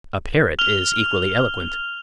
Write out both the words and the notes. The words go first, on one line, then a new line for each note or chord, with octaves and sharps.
A parrot is equally eloquent.
F6 F7 G7